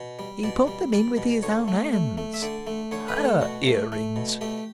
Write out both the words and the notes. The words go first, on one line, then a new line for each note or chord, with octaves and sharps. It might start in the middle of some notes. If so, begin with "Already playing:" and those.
"He put them in with his own hands." HER ear-rings!
Already playing: B2
G3
B2 D5
G3
G3 D5
B2
D3 C#5
A3
A3
A3
E5
D3 D5
A3
D3 C#5
B4
A3
A4
B2 F#4
A3
A3
B2
A3 G4